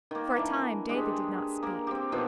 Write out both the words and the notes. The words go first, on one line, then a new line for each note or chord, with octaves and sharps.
For a time David did not speak.
D#3 A#3
E3 D4
G#3 D4 G4 G#4
A#3 A#4
C4 G4
B2 D#3 F3 C4